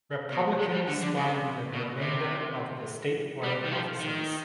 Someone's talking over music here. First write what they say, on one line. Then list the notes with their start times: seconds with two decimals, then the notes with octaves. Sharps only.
Republicans won the remainder of the statewide offices.
0.32 B2
0.59 G#3
0.74 G3
0.88 D3
1.03 D3
1.17 C3
1.73 B2
2.01 C3
3.43 G3
3.64 D#3
3.71 F3
4.00 D#3